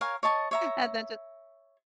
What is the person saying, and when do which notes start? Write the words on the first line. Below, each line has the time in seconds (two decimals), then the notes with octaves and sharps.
and then, ju
0.01 A#4 C#5 F5 G#5
0.23 C#5 D#5 A5 C#6
0.51 C#5 E5 A#5